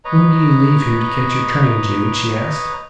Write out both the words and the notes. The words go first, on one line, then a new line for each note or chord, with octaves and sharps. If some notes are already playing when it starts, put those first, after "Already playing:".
"When do you leave here to catch your train, Jude?" she asked.
B4 C#5 D#5 A#5